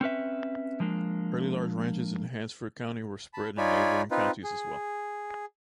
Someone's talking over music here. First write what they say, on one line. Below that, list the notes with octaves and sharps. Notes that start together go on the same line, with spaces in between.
Early large ranches in Hansford County were spread in neighboring counties as well.
C4 C#4 B4 E5
F3 G#3 A#3 D4
A5 B5
D#4 F4 C#5 D5 G#5 B5
C4 D#4 F4 B4
G#4